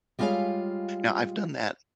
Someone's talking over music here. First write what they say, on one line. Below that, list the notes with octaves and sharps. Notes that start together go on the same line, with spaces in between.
now I've done that
G3 G#3 F4 G#4 C#5 F5